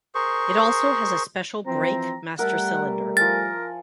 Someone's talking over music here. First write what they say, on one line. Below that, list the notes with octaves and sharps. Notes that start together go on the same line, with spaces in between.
It also has a special brake master cylinder.
G#4 A#4 C5 C#6
E3 F3 C4 A#5
G3 A3 A#4 E5 F#5 A5
F3 A#4 G#5 A6